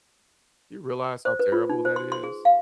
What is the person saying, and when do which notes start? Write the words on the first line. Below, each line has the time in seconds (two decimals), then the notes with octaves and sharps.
You realize how terrible that is?
1.25 C5
1.39 B4
1.52 F4
1.69 D#4
1.85 C5
1.96 C6
2.12 C6
2.24 G#4
2.45 F5